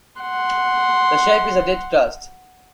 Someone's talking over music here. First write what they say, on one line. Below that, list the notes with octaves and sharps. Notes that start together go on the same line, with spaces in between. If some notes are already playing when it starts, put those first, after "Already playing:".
The shape is a dead crust.
F#5 C6